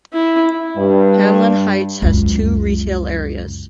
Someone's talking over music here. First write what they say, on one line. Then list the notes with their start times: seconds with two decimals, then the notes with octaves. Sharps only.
Hamlyn Heights has two retail areas.
0.13 E4
0.77 G2
2.02 C#2 F#2